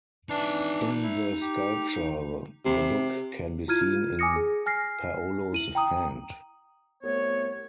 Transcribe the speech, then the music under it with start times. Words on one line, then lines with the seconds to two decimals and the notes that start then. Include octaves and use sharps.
In the sculpture, the book can be seen in Paolo's hand.
0.29 E3 D4 D#4 A5
1.03 E4
1.41 G4
2.65 C3
3.68 E4 F4 F6 G#6 D#7
4.19 G#5 D6 D#6 A#6 C#7
4.36 G#4
4.66 G#5 F6 A#6 C7
5.53 E4 D#7 F#7
5.75 G5 A#5 D#6
7.02 C2 A3 B3 C#5